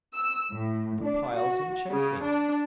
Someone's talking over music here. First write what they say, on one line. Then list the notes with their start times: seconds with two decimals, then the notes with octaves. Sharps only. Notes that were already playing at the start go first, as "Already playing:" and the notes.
For piles and chafing.
0.13 E6
0.51 A2
1.04 D4
1.34 F#4
1.91 C#3
2.23 D4